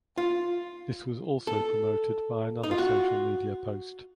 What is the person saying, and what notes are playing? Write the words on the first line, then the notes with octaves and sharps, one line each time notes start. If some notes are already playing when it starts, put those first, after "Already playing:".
This was also promoted by another social media post.
F4
A4
D#4
F4
F#4